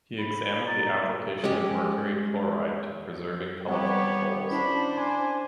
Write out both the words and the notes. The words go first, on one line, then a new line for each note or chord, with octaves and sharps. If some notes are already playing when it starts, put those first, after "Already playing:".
He examined the application of mercury chloride to preserving telephone poles.
B5
A#5 A6
G#3 C#4 G4
G3 B3 C4 G4 C#5 F#5
C#4 D4 E4 C5 B5
G#5 C6